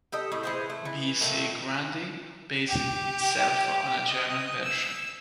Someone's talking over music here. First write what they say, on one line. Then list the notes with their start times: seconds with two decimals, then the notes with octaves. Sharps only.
B. C. Grundy, based itself on a German version.
0.12 G4 A4 D#5
0.32 A2 D#4
0.43 E3 G#4 C5
0.70 A3
0.85 E3
1.21 A#2 D#3 A3
2.70 G4
4.09 D#5
4.64 E6